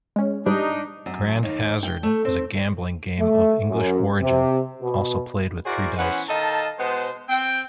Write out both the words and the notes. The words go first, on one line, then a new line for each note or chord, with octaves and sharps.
Grand Hazard is a gambling game of English origin, also played with three dice.
G#3 C#4
G#2 G3 D4 D#4
F#2
D#2
G5
A3
C4
A3
F#2
C3
B2
E4 F#4 G#4 A#4 C5 D5
E3 B3 C#4 C5 F#5
D#3 A4 D#5 F5 A5
B2 G#3 B3 C5
C4 G5